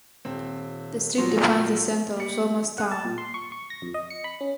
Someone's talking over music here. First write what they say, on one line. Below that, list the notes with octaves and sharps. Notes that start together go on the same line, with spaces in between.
The street defines the centre of Somers Town.
D#1 C4
A#2 F3 F#3 C6
G3 A#3 C#7
F#5
A5
A#2
C6
C#6
C#6
A#6
F2
D#5
C#7
B5
C#4